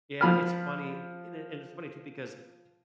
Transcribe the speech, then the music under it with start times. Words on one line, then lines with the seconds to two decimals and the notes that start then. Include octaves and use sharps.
Yeah, it's funny and i it's funny too because,
0.21 F3 B5 F6